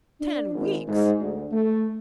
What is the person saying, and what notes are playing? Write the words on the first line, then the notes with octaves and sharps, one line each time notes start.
"Ten weeks!"
D4
G#1
G#2
D2
A3